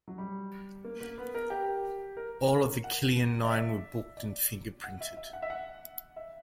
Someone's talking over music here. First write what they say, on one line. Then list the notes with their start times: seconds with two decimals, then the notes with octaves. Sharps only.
All of the "Killian Nine" were booked and fingerprinted.
0.08 F#3
0.18 G3
0.84 A#3
1.01 A#3
1.18 B3
1.35 A#4
1.50 G4
2.17 A#4
2.51 A#4
2.84 F#5
3.44 D5
3.50 E5
4.17 D5
4.84 F#5
5.01 E5
5.17 E5
5.33 F#5
5.42 E5
5.50 F#5
6.16 E5